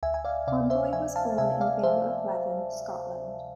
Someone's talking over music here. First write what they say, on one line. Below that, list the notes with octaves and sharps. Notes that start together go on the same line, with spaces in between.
Conroy was born in Vale of Leven, Scotland.
D2 E5 G#5
G#5
D5 F5
C3 D5 F5
C5 E5
F3 E5 G#5
F5 A5
C3 E5 G#5
D5 F5
F3 C5 E5